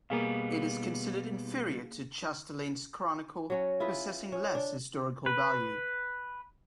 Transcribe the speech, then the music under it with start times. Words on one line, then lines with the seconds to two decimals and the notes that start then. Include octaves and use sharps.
It is considered inferior to Chastellain's chronicle, possessing less historical value.
0.10 B2 G3 A#3 B3 G#4 F5
3.50 F#3 C#4 F#4
3.80 E4 F4 G#4 B4
4.32 C#4
4.55 D4
5.26 B4